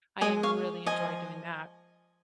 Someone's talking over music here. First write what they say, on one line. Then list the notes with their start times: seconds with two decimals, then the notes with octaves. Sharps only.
I really enjoy doing that,
0.21 G#3 D#5 G#5
0.43 C#5 F5
0.86 F3 D#5 G#5